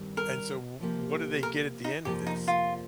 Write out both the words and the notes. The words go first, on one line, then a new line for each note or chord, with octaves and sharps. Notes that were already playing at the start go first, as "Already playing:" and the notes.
and so w what do they get at the end of this?
Already playing: G2 D#3 G3 C4 G4
A#4
C3 F3 A#3 G4
A#4
D#4
F2 C3 F3 A#3 G4
D#4
F4